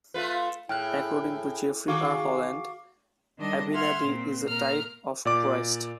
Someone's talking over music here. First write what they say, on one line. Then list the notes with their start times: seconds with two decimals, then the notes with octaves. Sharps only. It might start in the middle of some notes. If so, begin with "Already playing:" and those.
According to Jeffrey R. Holland, Abinadi is a type of Christ.
0.14 A3 F4 B4
0.69 A2 E4 G#4 G5 F6 F#6
1.88 D#3 F#4 G#4 F5 D6
3.38 D#3 G3 D4 D#5
3.72 E5 F#5 C6 F6 G#6
4.03 A#2 C4
4.47 A#2 A#4 A#5 F6
5.25 A#2 D5 D6